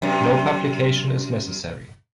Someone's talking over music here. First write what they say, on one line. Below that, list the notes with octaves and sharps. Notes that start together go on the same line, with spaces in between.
No publication is necessary.
F#2 C3